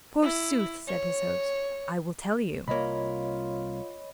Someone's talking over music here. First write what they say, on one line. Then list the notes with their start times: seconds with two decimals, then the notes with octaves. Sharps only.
Forsooth, said his host, I will tell you.
0.23 E4
0.88 C#5
2.68 C2 A#3 F4 C#5 D#5 B5